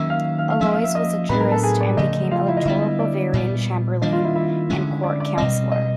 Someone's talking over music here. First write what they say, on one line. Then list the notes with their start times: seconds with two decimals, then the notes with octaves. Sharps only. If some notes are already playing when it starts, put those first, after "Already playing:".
Aloys was a jurist and became electoral Bavarian chamberlain and court councilor.
Already playing: D#3 F#3 A#3 C#4 E5 E6
0.10 F5 F6
0.38 F5 F6
0.50 F5 F6
0.61 F3 A#3 C#4 E5 E6
0.72 F5 F6
0.84 E5 E6
0.95 D#5 D#6
1.29 A2 F#3 B3 D4 B4 B5
1.40 A#4 A#5
1.52 A4 A5
1.63 G#4 G#5
1.80 D5
1.97 C#3 F3 A3 D#5
2.31 F4 F5
2.48 E4 E5
2.57 D#5
2.65 D3 G3 B3 E4 E5
2.82 D#5
2.99 D5
3.33 A#2 G3 B3
4.02 D#3 G3 A#3 D4 D#5
4.13 F4 F5
4.24 E4 E5
4.35 E4 E5
4.70 D3 F3 G#3 C#4
5.04 D5
5.20 D5
5.38 B2 G3 C4 D#5
5.72 D#5